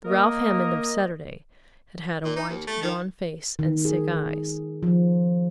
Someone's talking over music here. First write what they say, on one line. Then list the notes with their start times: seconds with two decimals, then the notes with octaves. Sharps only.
The Ralph Hammond of Saturday had had a white, drawn face and sick eyes.
0.05 A#3 A#4 D#5
2.25 A#2
2.36 D#4
2.49 D#2
2.67 A3
2.82 D#3
3.59 D#3
3.85 G#4
4.83 F3